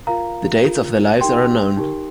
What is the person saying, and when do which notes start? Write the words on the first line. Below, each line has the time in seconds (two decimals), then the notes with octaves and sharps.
The dates of their lives are unknown.
0.07 F4 A#4 F5 A#5
0.64 F4 A#4
1.21 D#4 G4 A#4 G5 C6
1.77 D#4 G4 A#4